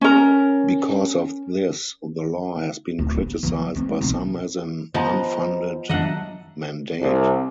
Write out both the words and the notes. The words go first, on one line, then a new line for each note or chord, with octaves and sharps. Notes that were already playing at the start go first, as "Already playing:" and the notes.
Because of this, the law has been criticized by some as an unfunded mandate.
C#4 A#4
D1
B3
E3 F#3
G#3 C4
B1 E3
F3 B3 C5 D#5 A#5
F#3 D4 D#5 E5 F#5
C2